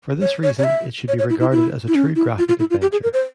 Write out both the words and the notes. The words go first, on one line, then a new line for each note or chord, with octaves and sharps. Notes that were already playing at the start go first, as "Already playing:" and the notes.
For this reason, it should be regarded as a true graphic adventure.
C#5
C#5
C#5
E5
C#5
C#5
E4
E4
E4
E4
C#4
E4
F4
F4
E4
F4
G4
G#4
A#4
C5